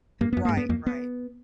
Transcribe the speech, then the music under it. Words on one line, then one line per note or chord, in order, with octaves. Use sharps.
Right, right.
G2 A#3
F#2 B3
G#2 A#3
G2
B3
F2 A#3
B3